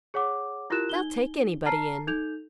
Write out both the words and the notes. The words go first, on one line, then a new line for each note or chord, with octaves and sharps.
They'll take anybody in.
G#4 C#5 F#5 D6
E4 F4 G4 A#4 F#6 E7
D#4 G7
A5 A#5 F6 C7
D#4 A4 G6 F7